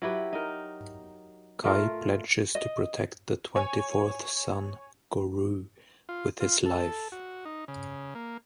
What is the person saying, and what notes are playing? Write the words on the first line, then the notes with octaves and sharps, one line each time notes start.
Cai pledges to protect the twenty-fourth son, Goreu, with his life.
F#3 E4 G4 B4
D#4 A#4
A3 F4 A#4
D#5
C#5 G#5
F4
F4
A4
F#4
D#4
C#3
A#3